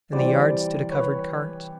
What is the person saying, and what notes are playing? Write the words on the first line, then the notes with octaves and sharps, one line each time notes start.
In the yard stood a covered cart.
C3 E3 G3 C5 D5
B4 C#5